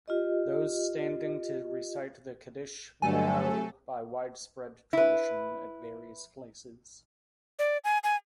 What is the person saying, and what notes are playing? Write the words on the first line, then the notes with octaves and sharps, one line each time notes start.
Those standing to recite the Kaddish bow, by widespread tradition, at various places.
F4 G4 D#5
G2 D3 F#3 A3 A4 G#5
E4 B4
D5
G#5
G#5